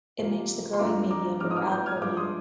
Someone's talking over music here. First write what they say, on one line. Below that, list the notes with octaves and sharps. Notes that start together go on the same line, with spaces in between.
It makes the growing medium more alkaline.
C3 F3 A#3
C6
G2 F3 C4 F4 A#5 D6
A#5 D6
G#2 F3 C4 D#4 D6 F6
D#6
D6 F6
D#6 G6
F6 G#6
G2 F3 G#3 D6 F6
C6 D#6